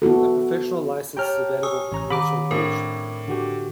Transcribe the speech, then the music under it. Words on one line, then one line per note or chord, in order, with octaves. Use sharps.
A professional license is available for commercial use.
B3 E4 F#4 A4
G4 C#5 G5 A5 A#5 F6
G#5 C#6 D#6 E6
A1 C#4 A#5
D#3 A#5 B5 D6
A2 C4 D4 A#4
D3 F#4 G4